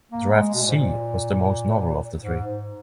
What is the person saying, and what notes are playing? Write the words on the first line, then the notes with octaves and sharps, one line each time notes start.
Draft C was the most novel of the three.
A#3
G#3
B2
A#2
G#2
A#2
G#2
G#2